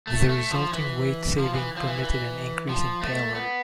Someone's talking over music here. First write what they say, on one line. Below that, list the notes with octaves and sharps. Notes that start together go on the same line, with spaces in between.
The resulting weight saving permitted an increase in payload.
A3
A3
F3
E3
F3
E3
F3
E3
E3
F3
A3
B3